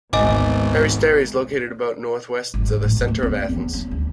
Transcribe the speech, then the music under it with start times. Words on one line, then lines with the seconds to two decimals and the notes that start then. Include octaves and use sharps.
Peristeri is located about northwest of the centre of Athens.
0.13 G#1 D2 B2 G#3 D#5 G#5 D6
2.54 G#1
2.68 G#2
2.83 A2
2.97 D#1
3.08 A3
3.23 C4
3.49 E2
3.73 C#4
3.91 D2